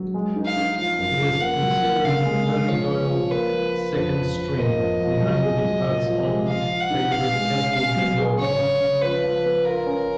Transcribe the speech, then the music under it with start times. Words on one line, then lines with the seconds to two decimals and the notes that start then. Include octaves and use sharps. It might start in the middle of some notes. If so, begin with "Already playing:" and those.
He was considered the Ballydoyle second string, behind the odds-on favourite Castle Gandolfo.
Already playing: F#3
0.14 G#3
0.36 D#4
0.46 F5
0.56 D#4
0.78 F3 F5
0.98 F#2
1.20 F3
1.41 A#3 F#5
1.62 F#3
1.83 A#3
2.05 C#3 F5
2.25 G#3
2.47 G#3
2.68 F3 C#5
2.89 B3
3.10 F3
3.31 A#3 B4
3.53 F3
3.74 F4
3.95 F2 B4
4.16 F2
4.37 F2
4.58 A#3 D#5
4.79 F2
5.00 F3
5.22 F#3
5.43 G#4
5.64 F#3
5.84 A#2
6.06 F3
6.27 G#3
6.48 F3 F5
6.70 F3
6.80 F#5
6.90 D#4
7.11 B2 F5
7.33 G#3
7.53 C#4
7.74 C#4 F5
7.96 F#3
8.17 G#4
8.39 C#3 C#5
8.60 C#3
8.80 C#3
9.01 F3 B4
9.23 F3
9.45 B3
9.65 F4 A#4
9.87 C#4